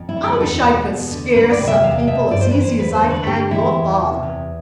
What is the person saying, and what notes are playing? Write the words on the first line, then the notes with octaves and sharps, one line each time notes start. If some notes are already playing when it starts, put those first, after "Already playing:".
"I wish I could scare some people as easy as I can your father."
Already playing: F2
E4
D3
G4
B4
E2 A4
B2
E2
D3
D2 B4
D5
C3
E5
E2 F5
B2 E5
G2 D5
C5
E3 B4
C5
E2 B4
C5
D3
B4
G2 G4
E3 E4
E2
C3
E2